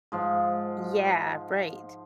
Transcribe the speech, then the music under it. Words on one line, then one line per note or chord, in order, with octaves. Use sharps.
Yeah, right.
G#2 F3